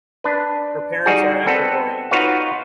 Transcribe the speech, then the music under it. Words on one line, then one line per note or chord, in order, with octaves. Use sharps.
Her parents are Ecuadorian.
D4 B4
G3 D#4 F#4 G#4
B3 C4 A4 B4
D#4 F4 F#4 B4 C#5 F5